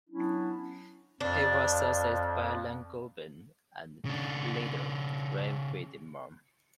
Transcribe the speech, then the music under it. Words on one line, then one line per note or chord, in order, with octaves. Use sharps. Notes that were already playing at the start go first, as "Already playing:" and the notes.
He was succeeded by Allen Goben and, later, Rob Widmer.
F#3 B3 C#4 D4 E4
F2 D4
C#3 D4